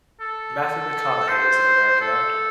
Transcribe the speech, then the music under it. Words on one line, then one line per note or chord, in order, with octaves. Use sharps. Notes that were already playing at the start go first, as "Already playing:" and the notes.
Matthew McConaughey is an American actor.
A4
C5
A4